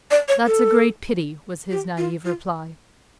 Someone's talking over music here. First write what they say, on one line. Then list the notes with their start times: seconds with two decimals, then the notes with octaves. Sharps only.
"That's a great pity," was his naive reply.
0.11 D5
0.28 C#5
0.47 A4
1.71 G4
1.97 F4
2.25 F4